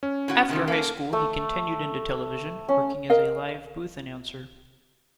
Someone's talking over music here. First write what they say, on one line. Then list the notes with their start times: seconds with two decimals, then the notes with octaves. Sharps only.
After high school he continued into television, working as a live booth announcer.
0.03 C#4
0.28 A2 F#4 F#5
0.49 C3 D#3 F3
0.68 A#3 A4
1.13 A3
2.69 C#4
3.10 A#4 D#5 F5